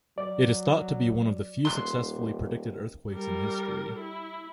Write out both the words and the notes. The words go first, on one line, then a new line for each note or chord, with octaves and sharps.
It is thought to be one of the few successfully predicted earthquakes in history.
F#3 D5
D#1 C6 F#6
G3 A#4
E4